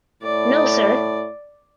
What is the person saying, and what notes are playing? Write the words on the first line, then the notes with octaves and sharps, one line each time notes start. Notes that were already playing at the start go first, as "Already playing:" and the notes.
No sir!
A2 D5